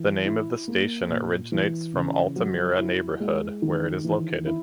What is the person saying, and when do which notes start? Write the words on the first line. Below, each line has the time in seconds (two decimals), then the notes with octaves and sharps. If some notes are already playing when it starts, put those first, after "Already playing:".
The name of the station originates from Altamira neighbourhood where it is located.
Already playing: E3
0.25 E4
0.68 A#3
1.10 A#2
1.52 E3
1.94 C#3
2.36 F#3
2.78 E4
3.20 G#3
3.62 D#3
4.04 E3
4.46 E4